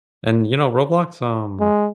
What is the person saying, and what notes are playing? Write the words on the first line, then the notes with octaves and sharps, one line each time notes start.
And, you know, Roblox, um
G#3